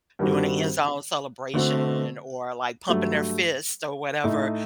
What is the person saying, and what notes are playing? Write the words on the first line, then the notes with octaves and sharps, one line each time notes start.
doing an end zone celebration or, like, pumping their fist or whatever
G2 D#3 G3 C4 F#4
D3 A3 C4 F#4
G2 F#3 A3
A2 A3 D#4